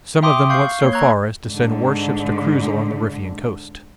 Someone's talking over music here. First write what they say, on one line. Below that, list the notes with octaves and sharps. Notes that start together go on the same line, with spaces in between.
Some of them went so far as to send warships to cruise along the Riffian coast.
E5 G5 C6 D6 D#6
F5 C#6 G6 C7
A#3 C#5 C7
A#5 C#6 E6 F#6 G#6
G#2 D3